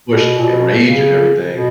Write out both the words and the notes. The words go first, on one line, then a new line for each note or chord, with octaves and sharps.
push, uh, rage and everything.
B2
A#2
B2
C#3
B2